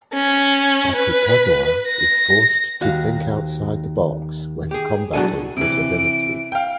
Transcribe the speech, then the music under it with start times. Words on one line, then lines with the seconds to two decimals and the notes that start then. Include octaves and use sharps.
Akutagawa is forced to think outside the box when combatting his ability.
0.14 C#4
0.95 B4
1.87 A#6
2.81 D#2 F#4 F5
4.71 G4 G#4
5.13 A2 F#3 B3 D4 A4 G#5
5.57 C3 E3 D7
6.52 F5 G5